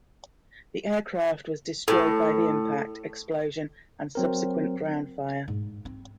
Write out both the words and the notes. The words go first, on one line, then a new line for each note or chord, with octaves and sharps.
The aircraft was destroyed by the impact, explosion, and subsequent ground fire.
A2
F#3 C4 A#4
G#2
C4